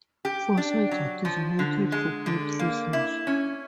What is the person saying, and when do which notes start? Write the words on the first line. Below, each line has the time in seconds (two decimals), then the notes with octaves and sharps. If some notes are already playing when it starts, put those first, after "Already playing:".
Four sites are designated for both reasons.
0.25 G4
0.57 D4
0.91 F#3
1.25 F3
1.59 D3
1.92 G#3
2.26 D3
2.59 A#3
2.93 E4
3.27 C#4